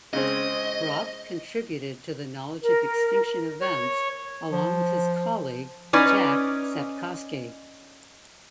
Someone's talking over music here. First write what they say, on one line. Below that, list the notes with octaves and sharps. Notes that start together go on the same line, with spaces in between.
Raup contributed to the knowledge of extinction events along with his colleague Jack Sepkoski.
C#3 G#3 C4 D#5
A#4
C#5
F3
C#4 D#4 B4 D5 D#5